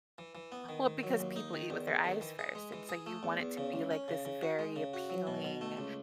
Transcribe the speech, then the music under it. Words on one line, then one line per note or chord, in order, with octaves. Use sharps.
Well, because people eat with their eyes first, and so you want it to be, like, this very appealing
E3
E3
B3
D#3
D#3
F#3
D#2
D#4
D#3
E2
E2
D#3
E3
G#4
G#3
E3
G#4
A3
E2
E2
C#3
C#2
C#4
C#3
C#3
F#4
G#3
C#3
F#4
F#3
B2
B2
A3
C#2